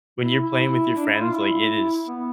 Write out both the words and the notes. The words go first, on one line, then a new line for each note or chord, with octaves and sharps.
when you're playing with your friends, like, it is
E4
E4
E4
D4
E4
F4
E4
B3